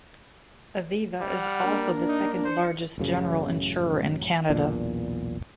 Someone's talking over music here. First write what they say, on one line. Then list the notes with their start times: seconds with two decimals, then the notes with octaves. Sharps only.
Aviva is also the second largest general insurer in Canada.
1.20 G3 F#5 F6
1.62 A#3 D4 A#4
2.08 D#4
2.44 C5 C#7
2.98 A1 F#2 C#3
4.50 B1 E2 A#2 D4